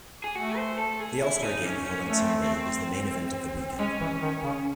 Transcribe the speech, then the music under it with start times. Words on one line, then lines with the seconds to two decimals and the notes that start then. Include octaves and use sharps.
The All-Star Game, held on Sunday, is the main event of the weekend.
0.24 G#4
0.35 A3 F#4
0.56 C5
0.79 A4
1.00 G#4
1.22 E4
1.42 D#4
1.64 C#4
1.86 C#4
2.07 A3 C#4
2.19 C4
2.44 C4
3.79 G#3 C#4
4.00 E3
4.22 D#3
4.43 C#3